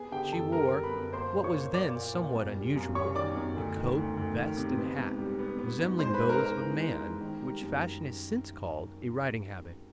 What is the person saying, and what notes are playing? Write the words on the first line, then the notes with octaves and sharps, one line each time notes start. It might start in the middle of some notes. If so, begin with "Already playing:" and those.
She wore, what was then somewhat unusual, a coat, vest, and hat, resembling those of a man, which fashion has since called a riding habit.
Already playing: B3 G#4 G#5
D3 G4 G5
F#2 A4 A5
G3 A#4 A#5
B3
B4 B5
F#2
A#3 C5 C6
A#2
C#5 C#6
A#3
A#3 D5 D6
A#2
A#2
F#2
G3
F#2
G3 C#5 C#6
D#3 D5 D6
F#2
D2
D#3
D2
D2
D#3
C3
B3
G#2
G3
B3
B3
G#2
G#3 C5 C6
B4 B5
G#2
A#4 A#5
G#2
A#4 A#5
E3
G#3
G#3
D#3
G3
F#2